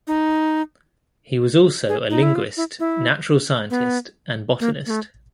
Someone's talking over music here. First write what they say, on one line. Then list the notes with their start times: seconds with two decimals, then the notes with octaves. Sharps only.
He was also a linguist, natural scientist and botanist.
0.08 D#4
1.89 G#4
2.10 D#4
2.23 E4
2.35 F4
2.57 E4
2.80 E4
3.70 B3
4.60 A#3
4.86 A#3
4.90 A3